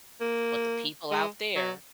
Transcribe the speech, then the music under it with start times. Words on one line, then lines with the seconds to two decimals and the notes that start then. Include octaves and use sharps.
But the people out there
0.21 A#3
1.11 G#3
1.56 F#3